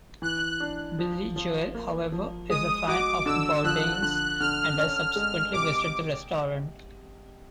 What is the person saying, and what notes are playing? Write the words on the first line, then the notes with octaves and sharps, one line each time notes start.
Billy Joel, however, is a fan of Bourdain's and has subsequently visited the restaurant.
E3 F#6
D4
F3
F3
A#3
F3
G#3 D#6
F#4 D6
D3 E6
F3 F#6
D3 F#6
D3 F6
C#4
G#3
C3 D6